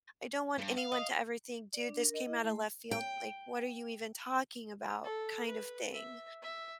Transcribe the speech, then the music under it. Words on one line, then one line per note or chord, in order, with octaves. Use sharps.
I don't want anyone to ever think, "Dude, this came outta left field, like, what are you even talking about," kind of thing.
G2
F5
D#5
D5
D4
A#4
D#5
E4
A3
G5
A4
B4
E5
E5